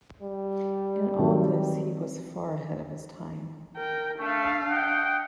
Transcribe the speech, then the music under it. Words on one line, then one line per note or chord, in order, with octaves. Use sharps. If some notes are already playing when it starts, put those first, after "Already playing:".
In all this he was far ahead of his time.
G3
D#3 F#3 C4
A#4 G5
A3 D4 F5
D#5 F#5 G5